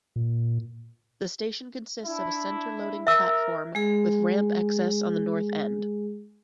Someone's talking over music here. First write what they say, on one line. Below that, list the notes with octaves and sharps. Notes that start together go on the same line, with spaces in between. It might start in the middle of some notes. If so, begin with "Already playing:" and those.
The station consists of a center-loading platform with ramp access on the North end.
A#2
D4 E4
A#4 E5 E6
G#3 G#4